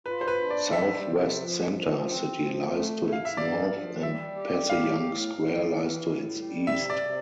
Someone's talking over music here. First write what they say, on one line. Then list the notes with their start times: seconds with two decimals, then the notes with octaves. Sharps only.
Southwest Center City lies to its north, and Passyunk Square lies to its east.
0.06 F4 B4
0.21 C5
0.28 B4
0.39 D4
0.50 D5
0.73 G3 E5
1.05 C3
1.38 F3
1.71 F3
2.05 C4
2.38 F3
2.71 A3
3.04 E4
3.13 F5
3.25 E5
3.37 G2 D5
3.70 F3
4.03 G3 E5
4.36 G4
4.69 A2 F5
5.02 A2
5.35 A2
5.68 E3
6.01 A2
6.35 G3
6.67 C3 E5
6.90 D5
7.01 C3